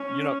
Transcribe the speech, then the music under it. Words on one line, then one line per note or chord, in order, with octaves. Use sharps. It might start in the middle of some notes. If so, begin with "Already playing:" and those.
you know
Already playing: C#4